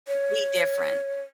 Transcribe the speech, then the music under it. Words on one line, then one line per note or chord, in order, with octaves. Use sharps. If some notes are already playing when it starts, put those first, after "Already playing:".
be different
C#5